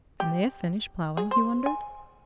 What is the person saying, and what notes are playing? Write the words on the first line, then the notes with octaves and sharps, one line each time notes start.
"Can they have finished ploughing?" he wondered.
G4
G#4
C5
G#5